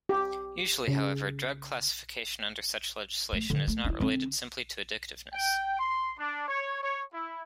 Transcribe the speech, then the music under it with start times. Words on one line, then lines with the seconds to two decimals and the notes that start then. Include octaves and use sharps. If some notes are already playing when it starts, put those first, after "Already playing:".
Usually, however, drug classification under such legislation is not related simply to addictiveness.
0.09 G4
0.88 C#3
3.33 A3
3.50 D3
3.67 A3
3.84 D4 E4
4.00 D3 C4
5.34 G5
5.79 C6
6.19 D4
6.48 C#5
6.83 C#5
7.13 E4